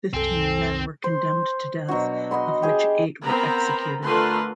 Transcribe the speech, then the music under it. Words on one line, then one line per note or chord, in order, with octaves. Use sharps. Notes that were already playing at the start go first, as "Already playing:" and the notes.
Fifteen men were condemned to death of which eight were executed.
C2 F#2 C4 A4 G#5
C5
B2 F#3 D4 F#4
D#5 F#5 B5 C6
G4 G#4 D#5 G5
B3 C4 A#4 A#5 B5
D3 A3 F4 A#4 B4 C6